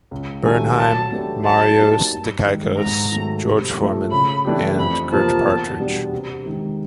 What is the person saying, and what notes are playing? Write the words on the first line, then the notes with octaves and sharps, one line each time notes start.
Bernheim, Marios Dikaiakos, George Forman, and Kurt Partridge.
C#2
C3 D#3 F#3 A3 G#5
F#3 A5
A3 D4 G4 B4
F#3 A5
A#3 D#4 G4
G2
D#3 G#3
G#2 A#5
D#3 F#3 A3
C3
F3 A3
C#3 B5
E3 A3 D4 G4
F2 B5
C3 F3 A#3 A5
E2
B2 G3 B3 D4
C3
D#3 G#3